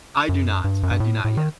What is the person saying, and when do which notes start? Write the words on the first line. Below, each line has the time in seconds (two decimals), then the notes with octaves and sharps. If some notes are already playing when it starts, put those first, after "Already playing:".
I do not. I do not yet,
0.29 F#2
0.64 G2
0.83 F#2
0.91 G2
1.00 A2
1.25 A2
1.37 D#3